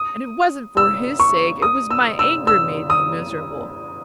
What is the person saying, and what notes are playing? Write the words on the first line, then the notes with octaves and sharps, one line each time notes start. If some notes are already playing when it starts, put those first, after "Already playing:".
And it wasn't for his sake, it was my anger made me miserable.
Already playing: D#6
E6
C#6
D#6
E6
E6
E6
D#6